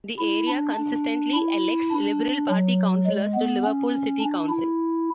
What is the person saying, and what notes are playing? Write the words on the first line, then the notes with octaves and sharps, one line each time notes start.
The area consistently elects Liberal Party Councillors to Liverpool City Council.
E4
D4
D4
E4
D4
F#3
G#3
B3
C#4
D4
E4